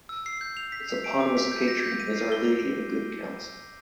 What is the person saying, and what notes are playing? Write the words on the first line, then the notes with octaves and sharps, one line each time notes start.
Its eponymous patron is Our Lady of Good Counsel.
E6
C7
G6
F7
B6
F7
D7
D6
B6
G6
A#6
G6
D#7
C7
G7